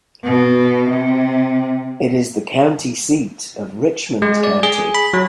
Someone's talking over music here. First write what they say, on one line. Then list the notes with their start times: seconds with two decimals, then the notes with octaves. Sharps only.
It is the county seat of Richmond County.
0.24 B2
0.89 C3
4.22 G#3
4.44 D5
4.63 G#4
4.94 B5
5.13 F#3